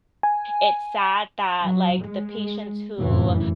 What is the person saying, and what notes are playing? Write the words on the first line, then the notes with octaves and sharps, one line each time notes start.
it's sad that, like, the patients who,
G#5
F#3
G#3
F1 F#2 A2 E3